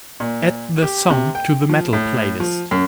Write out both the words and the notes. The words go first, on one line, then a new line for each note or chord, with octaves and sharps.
Add the song to the Metal playlist.
A#2
G4
C3
G5
F3
A2
F3
F#2